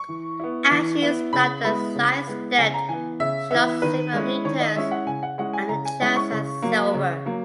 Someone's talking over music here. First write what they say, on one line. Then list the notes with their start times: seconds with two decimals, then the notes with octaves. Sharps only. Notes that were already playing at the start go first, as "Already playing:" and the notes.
As she stopped and sidestepped, she lost several metres and the chance at silver.
Already playing: C#6
0.09 E3
0.39 B3 E4
0.71 E3
1.02 B3 E4
1.33 C#3 B5
1.64 G#3 B3 E4 B5
1.96 C#3
2.27 G#3 B3 E4
2.58 C#3 G#5
2.74 A#5
2.89 E3 B3 G#5
3.20 C#3 E5
3.51 E3 B3 E5
3.82 D#3 B4
4.13 G#3 C#4 E4
4.44 D#3 C#5
4.60 D#5
4.76 G#3 C#4 E4 E5
4.91 F#5
5.07 C#3 G#5
5.23 F#5
5.38 G#3 C#4 E4 F#5
5.53 G#5
5.69 C#3 A#5
5.85 G#5
6.01 G#3 C#4 E4
6.16 C#6
6.32 C#3
6.62 F#3 A#3
6.94 C#3
7.26 F#3 A#3